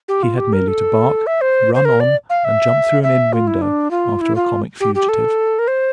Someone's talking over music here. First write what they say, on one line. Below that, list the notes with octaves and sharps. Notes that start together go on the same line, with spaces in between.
He had merely to bark, run on, and jump through an inn window, after a comic fugitive.
G4
F4
G4
A#4
A4
E5
C5
C5
A#4
D5
F5
E5
E5
F4
E4
D4
F4
E4
F4
G4
G4
A4
A#4
C5